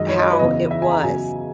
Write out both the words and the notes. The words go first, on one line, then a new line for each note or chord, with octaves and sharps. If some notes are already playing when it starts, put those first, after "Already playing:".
how it was.
Already playing: F#2 D#3 G#3 D#4 D#5
C#5
D#5
B4
E2 C#3 E3 D#5
E5
G#5
A#5
C#3 F#3 B3 G#5